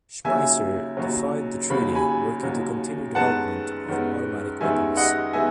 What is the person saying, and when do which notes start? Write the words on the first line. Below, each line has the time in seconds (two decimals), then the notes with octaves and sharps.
Schmeisser defied the treaty, working to continue development of automatic weapons.
0.25 D#2 C#3 F#3 E5 G#5
0.97 D#2 C#3 F#3
1.70 D#2 C#3 F#3 B5
1.95 G#5 B5
2.43 D#2 C#3 F#3
3.15 F#2 D#3 G#3 B3 F#5 A5
3.88 F#2 D#3 G#3 B3
4.61 F#2 D#3 G#3 B3 E5 G#5
4.97 D#5 F#5
5.33 D#3 G#3 B3 E5 G#5